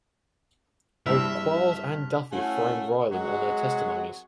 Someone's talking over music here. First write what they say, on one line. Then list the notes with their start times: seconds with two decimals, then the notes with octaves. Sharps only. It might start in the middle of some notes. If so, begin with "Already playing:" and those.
Both Quarles and Duffy frame Raylan on their testimonies.
1.06 A#1 G2 C4 E4 E5 F6 B6 F7
2.32 A3 C#4 E4 F#4 F5 G#5
3.11 F#3 G#3 C4 F#4